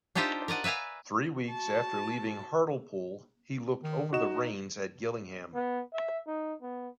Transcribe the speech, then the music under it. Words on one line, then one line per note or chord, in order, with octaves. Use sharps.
Three weeks after leaving Hartlepool, he took over the reins at Gillingham.
D4 D#4 F4 G4 C5 E5
A#4 D5 D#5 F#5
B4 E5 F5 G#5 A#5
F#4 A5
D#3
D#4 F#4 D#5 E7
B3
E5
D#4
B3